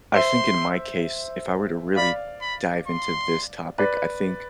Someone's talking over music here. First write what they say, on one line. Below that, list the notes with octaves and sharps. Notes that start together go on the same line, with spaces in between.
I think in my case, if I were to really dive into this topic, I think,
C5 E5 C6
D5 F5 B5
B5
C6
B4 D5